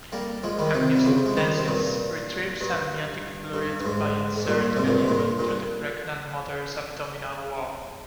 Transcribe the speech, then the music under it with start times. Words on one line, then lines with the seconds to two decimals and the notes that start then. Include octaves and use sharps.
Amniocentesis retrieves amniotic fluid by inserting a needle through the pregnant mother's abdominal wall.
0.12 G3 A#3
0.43 F3 G#3
0.58 D#3 G3
0.74 C3 D#3
0.96 G3
1.06 C#3 F3
1.26 G#3
1.37 D#3 G3
1.58 C3
1.68 G2 A#2
2.61 G2
3.54 G2
3.80 G2
3.85 G#2
4.37 G#2
4.46 G2 A#2
4.77 G#2 C3
4.87 G2 A#2
4.98 G#2
5.08 G2 A#2
5.39 G2 A#2